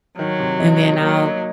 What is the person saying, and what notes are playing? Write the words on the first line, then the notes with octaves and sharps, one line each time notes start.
and then I'll,
D#3 F#3
C3
D#4
D#4
F#3 A#3
D#4